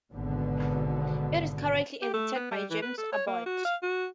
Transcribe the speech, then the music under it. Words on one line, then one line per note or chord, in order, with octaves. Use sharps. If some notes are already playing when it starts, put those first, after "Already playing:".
It is currently edited by James Abbott.
G#1 G#2 B2 D3 B3
G4
A3
B3
G3
E3
B4
A4
C#5
A#3
F#4
F5
F#4